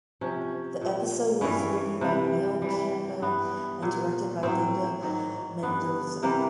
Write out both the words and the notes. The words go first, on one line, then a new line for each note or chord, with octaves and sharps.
The episode was written by Neil Campbell and directed by Linda Mendoza.
C3 F3 C#4
A#2 F3
G2 E3 G3 C#4
C3 E3 G3
C3 E3 G3
G2 E3 G3 B3
A#2 F#3
A2 F#3 C4
G#2 D#3 F#3
G2 D3 G3 B3
C3 E3 G3 A#3